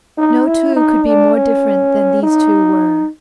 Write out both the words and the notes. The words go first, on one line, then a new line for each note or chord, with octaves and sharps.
No two could be more different than these two were.
D#4
E4
D#4
D4
C#4
D#4